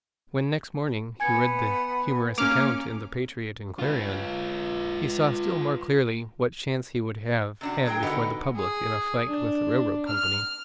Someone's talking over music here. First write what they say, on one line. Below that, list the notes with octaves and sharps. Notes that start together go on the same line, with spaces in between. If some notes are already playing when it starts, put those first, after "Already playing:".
When next morning, he read the humorous account in the Patriot and Clarion, he saw still more clearly what chance he would have had before the public in a fight with the railroad company.
B3 G#5 G#6 C#7
A#3 C#4 D6 F6
F4 B4
C3 D4 F#4
F#3 G#4 A#4 G5
D3 B3 D#4 F#4 G4
G#4
D4
F6